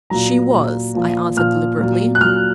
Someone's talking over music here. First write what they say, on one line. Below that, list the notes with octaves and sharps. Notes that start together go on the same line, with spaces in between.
'She was,' I answered, deliberately.
A#2 F#3 A#5
A#2 F#3
A#2 F3
A#2 F3 F6
A#2 F#3
F#6
A#2 F#3 F6